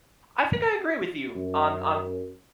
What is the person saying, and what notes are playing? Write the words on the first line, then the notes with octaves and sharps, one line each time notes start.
I think I agree with you on on
F#2